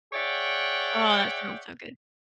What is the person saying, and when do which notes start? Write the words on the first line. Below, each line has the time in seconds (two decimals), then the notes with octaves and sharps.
Oh, that sounds so good.
0.13 G#4 C#5 D5 E5 F#5 G5